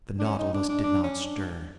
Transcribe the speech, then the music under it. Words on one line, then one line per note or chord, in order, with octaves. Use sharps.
The Nautilus did not stir.
D4
C#4
D#4
D4
D4
D4
C#4
D4